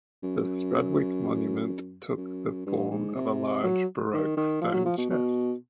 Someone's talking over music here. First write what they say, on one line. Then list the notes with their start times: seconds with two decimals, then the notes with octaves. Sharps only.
The Strudwick monument took the form of a large Baroque stone chest.
0.23 F#2
2.17 F#2
2.66 G2
2.90 G#2
3.15 C3
3.63 F#3
4.13 D#3
4.37 D#3
4.61 F3
4.73 F#3
4.85 F3
4.98 B2
5.10 B2